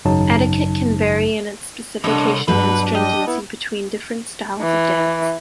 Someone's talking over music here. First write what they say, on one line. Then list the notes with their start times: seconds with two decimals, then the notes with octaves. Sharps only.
Etiquette can vary in its specification and stringency between different styles of dance.
0.05 G#1 F#2 C#3 F#3 D#4 A5
2.04 C2 G2 D3 D4 C#5 D#5
2.48 G2 B2 F#3 D4 B4
2.95 G3 D#5
3.27 B3 E4
4.62 E3